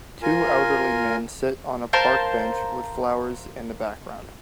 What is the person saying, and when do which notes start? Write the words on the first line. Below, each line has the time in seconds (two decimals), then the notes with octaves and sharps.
Two elderly men sit on a park bench, with flowers in the background.
0.22 F4 A#4 G#5
1.93 A#4 C5 F5 A5